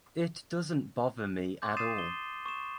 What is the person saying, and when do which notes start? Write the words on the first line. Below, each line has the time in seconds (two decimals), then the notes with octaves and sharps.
It doesn’t bother me at all.
1.62 C6 D6 G6
1.77 D#6 A6 C7 D#7 E7
1.98 G7
2.46 C#6 E7